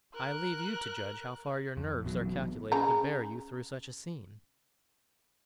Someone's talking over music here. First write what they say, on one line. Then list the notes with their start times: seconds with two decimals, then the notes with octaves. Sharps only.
I leave you to judge how far your nerves are calculated to bear you through such a scene.
0.14 A#4 F#6
1.77 F2
2.03 A1 B2 F#3
2.72 C#3 A#5